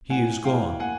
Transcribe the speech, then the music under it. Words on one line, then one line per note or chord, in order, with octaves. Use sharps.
He is gone!
A2 F#5 G#5
A2 F5 G5
A#3 F#5 G#5